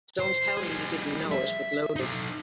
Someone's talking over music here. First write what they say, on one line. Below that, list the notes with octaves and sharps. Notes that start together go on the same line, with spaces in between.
Don't tell me you didn't know it was loaded.
C5
G3 G#4
E5
D#4 A4